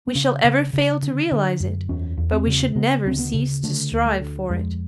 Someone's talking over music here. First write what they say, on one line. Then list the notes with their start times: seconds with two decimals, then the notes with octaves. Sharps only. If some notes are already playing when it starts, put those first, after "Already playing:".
We shall ever fail to realise it, but we should never cease to strive for it.
0.08 C4
0.15 C#3 C#4
0.44 C#3
0.73 C#3
1.02 D3
1.31 D3
1.60 F#2
1.89 E2 C#4
2.17 E2
2.32 C4
2.47 C#3
2.76 C#3 B3
3.05 D2 C4
3.19 B3
3.34 C#3
3.63 D3 A3
3.92 D2
4.06 A3
4.21 D2
4.50 F2 G#3